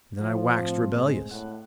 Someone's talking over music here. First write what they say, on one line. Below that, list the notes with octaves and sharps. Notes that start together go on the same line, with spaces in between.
Then I waxed rebellious.
F3
A2 C4
G#3
A2 F#5